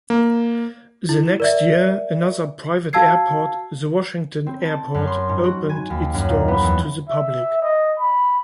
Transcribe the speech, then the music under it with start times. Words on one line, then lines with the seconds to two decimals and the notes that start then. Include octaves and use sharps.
The next year, another private airport, the Washington Airport, opened its doors to the public.
0.10 A#3
1.09 E4
1.40 A#4 D5 E5
2.93 F#4 F5 A5 E6 G#6 C7
4.47 C4
4.62 A5
4.94 F#2
5.07 C6
5.29 G#2
5.44 F#4
5.69 G#5
5.90 D#2
6.14 F#2
6.29 A#2
6.48 B3
6.62 E2
7.09 E5
7.62 D#5
7.99 B5